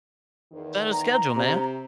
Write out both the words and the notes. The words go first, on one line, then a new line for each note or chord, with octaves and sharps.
Set a schedule, man.
E2 D#3
A#5
C3